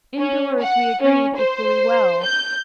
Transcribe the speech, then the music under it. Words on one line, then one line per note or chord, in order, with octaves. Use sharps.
Indoors we agreed equally well.
C#4
F#5
C#4
C5
G6